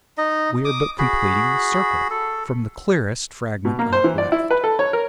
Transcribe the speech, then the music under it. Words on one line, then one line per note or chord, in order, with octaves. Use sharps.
We are but completing the circle from the clearest fragment-arc left.
D#4 D#5
D6 D#6
F#4 G#4 B5
A4
B2
A#3
C5
E3
D5
E4
B4
A4
C#5
A#4